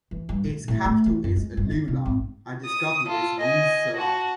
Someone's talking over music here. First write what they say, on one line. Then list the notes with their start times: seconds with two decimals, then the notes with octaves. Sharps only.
Its capital is Alula and its governor is Musse Salah.
0.11 E3
0.29 G2
0.44 A2
0.68 A2
0.85 A3
1.06 E3
1.24 F#2
1.36 G#3
1.57 G2
1.71 D#4
1.88 C3
2.06 G#1
2.65 D#6
3.07 F4 A4
3.39 D#5 G#5
3.96 F#4 A5